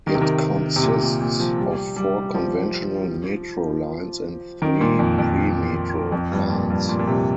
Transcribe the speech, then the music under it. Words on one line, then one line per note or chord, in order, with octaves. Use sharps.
It consists of four conventional metro lines and three premetro lines.
D#3
C3
D#3
C3
A#2
A#2
A#2
F3
G3
G3
F3
D#3
A#2
F2
F2
F2
G2
A#2
G2
A#2
A#2
C3